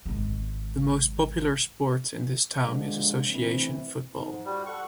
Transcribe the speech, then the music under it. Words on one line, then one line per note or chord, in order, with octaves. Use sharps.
The most popular sport in this town is association football.
G#1 G#3
A#2 D3 F3 G#3
D2 E3 C4
F2 G#2
G3 F4 F#4
A4 F#5 C#6